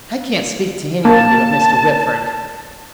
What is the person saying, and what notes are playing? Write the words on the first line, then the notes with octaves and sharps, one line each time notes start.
"I can't speak to anybody but Mr. Whitford."
A#3 A5